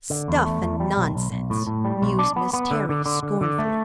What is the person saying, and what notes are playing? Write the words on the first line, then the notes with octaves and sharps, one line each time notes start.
"Stuff and nonsense!" mused Miss Terry scornfully.
D3
E2
A3
E2
G3
B1
B1
B1
A2
A2
G3
B1
D4
B3
B3
D3
D3
D3
D3
D3
A3